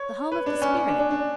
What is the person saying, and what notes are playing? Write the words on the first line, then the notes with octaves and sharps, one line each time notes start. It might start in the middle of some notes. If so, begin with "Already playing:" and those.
The Home of the Spirit!
Already playing: C#5
B4
D4
C#4
C#4
D4
D4
D4